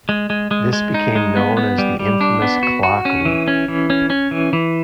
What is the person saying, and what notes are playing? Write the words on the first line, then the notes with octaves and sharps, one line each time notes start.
This became known as the infamous "clockloop".
G#3
G#3
G#3
G#3
D#4
G#3
B3
B3
G3
G3
D4
B3
F#4
F#4
C#4
E3
C#4
E3
C#4
C#4
E3
E3